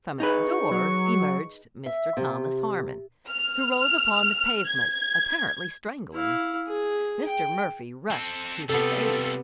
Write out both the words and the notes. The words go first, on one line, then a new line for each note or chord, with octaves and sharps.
From its door emerged Mr. Thomas Harmon, who rolled upon the pavement apparently strangling. Mr. Murphy rushed to his aid.
D#4 G#4 B4 C#6
F#3
E5
C3
F6
G#6
E4 F5
G#4
G5
C4 A4
C3 G3 B3 F4 A4